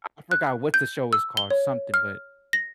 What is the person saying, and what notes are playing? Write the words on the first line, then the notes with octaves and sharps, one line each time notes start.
I forgot what the show is called, something, but
F#6
G6
E6
G7
C#5
F6
A#6